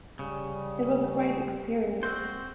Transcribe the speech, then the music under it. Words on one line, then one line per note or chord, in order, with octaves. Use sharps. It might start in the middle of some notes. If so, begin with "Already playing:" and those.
It was a great experience.
C#3 G3
C4 F#4 C5